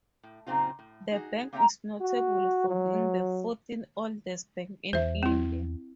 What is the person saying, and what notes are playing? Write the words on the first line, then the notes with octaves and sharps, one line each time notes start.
The bank is notable for being the fourteenth oldest bank in India.
A2
F#2 A#2 C#3 C4 D#4 F4
A2
D#4 F#4 G#4
A#3 C4 C#5 E5 G5 A#5
F#4
F#3
E2 C5 E5
C4 E4